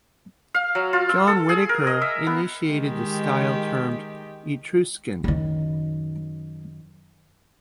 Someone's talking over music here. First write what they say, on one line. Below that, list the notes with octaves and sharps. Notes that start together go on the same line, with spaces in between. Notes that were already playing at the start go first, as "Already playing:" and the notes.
John Whitaker initiated the style termed Etruscan.
F5
F#3
F4
E6
A4
G#4
A#4
D#5
E5
B3
D#3 G#3 G4
F#2 D#3